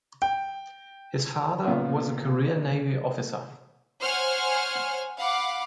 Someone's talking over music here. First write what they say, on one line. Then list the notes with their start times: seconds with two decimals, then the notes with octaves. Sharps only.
His father was a career Navy officer.
0.22 G5
1.66 A#2 C#3 B3 F4
4.01 C5 C#5 F#5 G#5 F6
5.19 F5 F#5 B5 D6